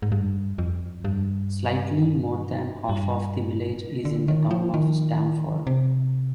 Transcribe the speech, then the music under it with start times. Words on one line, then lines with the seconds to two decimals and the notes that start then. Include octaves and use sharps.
Slightly more than half of the village is in the town of Stamford.
0.02 G#2
0.12 G2
0.58 F2
1.05 G2
2.89 G2
4.05 D3
4.28 D#3
4.51 F3
4.74 D#3
5.67 C3